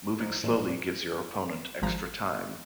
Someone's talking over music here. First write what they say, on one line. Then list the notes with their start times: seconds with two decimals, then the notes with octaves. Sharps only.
Moving slowly gives your opponent extra time.
0.20 F3 D#4
0.43 E2 A#2 E3 F3 G#3
1.82 G#1 F3 A#5